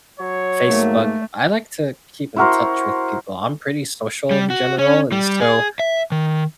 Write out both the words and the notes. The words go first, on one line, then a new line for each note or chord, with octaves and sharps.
Facebook. I like to keep in touch with people. I'm pretty social in general, and so,
F#3 C#5
G#2 A3 A#3
E4 F#4 A#4 C5
G3
F#4
C#4
G3
G#4
E5
D#3